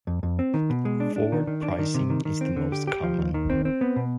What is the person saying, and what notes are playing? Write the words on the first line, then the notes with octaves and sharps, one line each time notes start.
Forward pricing is the most common.
F2
F2
C4
D#3
B2
G#3
D4
D4
D#3
D#3
D4
D#3
C3
D#3
D#3
C4
D3
G4
G4
F3
D#2
D#3
C4
C4
B3
B2